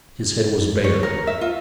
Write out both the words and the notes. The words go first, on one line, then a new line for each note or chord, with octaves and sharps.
His head was bare.
C#5
A#4
E5
F4